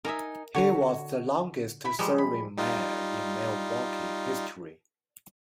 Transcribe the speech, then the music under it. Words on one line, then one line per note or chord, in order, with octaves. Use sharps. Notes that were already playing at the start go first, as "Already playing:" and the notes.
He was the longest serving mayor in Milwaukee history.
D#4 A#4 E5 G#5 D#6
D3 F#4 C#5
E4 B5
F3 G3 G#3 C5 A#5
B5
G3 D#4 F4